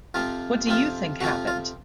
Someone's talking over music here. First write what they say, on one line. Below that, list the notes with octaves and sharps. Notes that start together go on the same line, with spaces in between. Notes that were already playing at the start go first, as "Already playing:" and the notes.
What do you think happened?
F2 C3 F3 C4 F4
F2 C3 F3 C4 F4
F2 C3 F3 C4 F4 F#4
F4